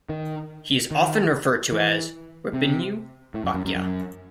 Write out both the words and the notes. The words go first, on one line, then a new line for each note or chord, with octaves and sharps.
He is often referred to as Rabbeinu Bachya.
D#3
D#3
E3
C3
A2
F#2
F#2
F#2
F#2